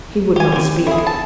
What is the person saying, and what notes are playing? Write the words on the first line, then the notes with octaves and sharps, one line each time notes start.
He would not speak.
G4 G#5
D#2 C3
F2 E4 G#4
A5